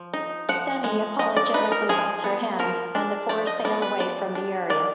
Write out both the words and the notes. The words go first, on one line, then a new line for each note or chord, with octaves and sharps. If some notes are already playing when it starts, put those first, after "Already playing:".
Sunny apologetically bites her hand, and the four sail away from the area.
Already playing: F3
D#4
F3 F#5
G#3
F3 D#5
D5
D#4 B4
A#4
F3 G#4
B3
F3 A#4
D4
F3 D5
D#5
B3 D5
B4
F3 D5
D4
D#3 D5